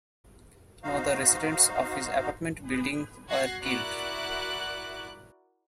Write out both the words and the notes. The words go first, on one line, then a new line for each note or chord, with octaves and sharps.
No other residents of his apartment building were killed.
D#4 F#4 C5 F5
F#4 F#6 G#6 A#6 C7
E4 F#4 A#4 D5 D6 F#6